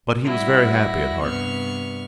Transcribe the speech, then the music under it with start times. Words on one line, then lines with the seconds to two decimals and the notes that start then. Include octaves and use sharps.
But he was very happy at heart.
0.25 G3 E4 F#4 A#6
1.22 G2 C3 B3 C#6 F6